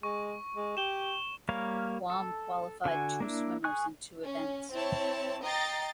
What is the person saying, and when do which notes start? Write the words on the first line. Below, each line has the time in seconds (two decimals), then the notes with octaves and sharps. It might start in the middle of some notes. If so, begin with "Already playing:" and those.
Guam qualified two swimmers in two events.
0.03 G#3 C#6
0.56 G#3
0.77 G4 E7 G7
1.49 G3 A#3 A#4 C#5 F5
2.10 A4
2.85 D3 F#4 G#5
3.20 A#3 D4 E4
3.64 G#4 G#5 C#6 F#6
4.24 C#4
4.71 C4 E4 C#5 A5
5.42 D#5 G5 A#5 A6 C7